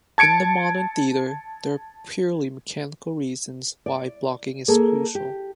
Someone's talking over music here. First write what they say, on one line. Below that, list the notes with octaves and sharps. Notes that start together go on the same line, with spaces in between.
In the modern theater, there are purely mechanical reasons why blocking is crucial.
A5 G#6 C#7 D7
D5
A#3 G#4 A4
G4